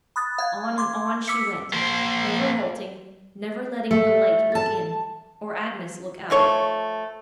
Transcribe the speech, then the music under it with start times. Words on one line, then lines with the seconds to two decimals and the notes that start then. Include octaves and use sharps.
On and on she went, never halting, never letting the light look in, or Agnes look out.
0.16 B5 D#6 F#6 A6
0.38 F5 G#6
0.78 C6 D6 G#6
1.28 D6 E6 B6 C#7
1.73 A#3 C5
3.91 A3
4.55 A5
6.30 F3 A3 C#5